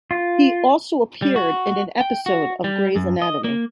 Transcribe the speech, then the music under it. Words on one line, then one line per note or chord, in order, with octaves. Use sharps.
He also appeared in an episode of "Grey's Anatomy".
F4
G3
F#4
G5
F#4
G3
F#2
D#5
A#3